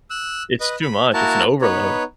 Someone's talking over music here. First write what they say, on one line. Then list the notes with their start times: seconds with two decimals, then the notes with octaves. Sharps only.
It's too much, it's an overload.
0.10 E6 F#6
0.60 B4 D#5
0.82 B5
1.13 A#3 E4 F#4 A#4 A5
1.62 B3 D#4 B4 C#5